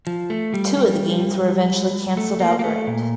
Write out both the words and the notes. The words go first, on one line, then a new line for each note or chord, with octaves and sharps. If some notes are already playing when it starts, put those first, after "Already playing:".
Two of the games were eventually canceled outright.
F3
A3
G3
G3
A3
A#3
A#3
A3
A#2